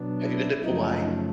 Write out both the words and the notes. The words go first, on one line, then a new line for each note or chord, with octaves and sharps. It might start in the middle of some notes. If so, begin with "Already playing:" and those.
Have you been to Kauai?
Already playing: B2 F#3 B3 D4
E4
F#2 C#3 F3 A3 D#4